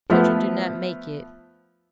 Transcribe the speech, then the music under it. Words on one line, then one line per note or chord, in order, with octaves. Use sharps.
Children do not make it.
F3 A3 B3